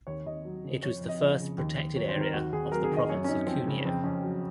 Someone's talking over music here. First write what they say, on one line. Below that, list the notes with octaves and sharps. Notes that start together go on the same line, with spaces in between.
It was the first protected area of the Province of Cuneo.
D#2 C#5
D#2 D#5
F#3
C#3
F2 C#5
F2
D#5
F3 D#5
C#3
D#2
D#2
F#3 C#5
C5
D#3
A#4
D#2 F#4
D#2 G#4
F#3 A#4
G#4
D#3
D#5
F#2 C#5
C#4
F#2 D#4
F3 C4
C#3
F2 C4
F2 C#4
F#3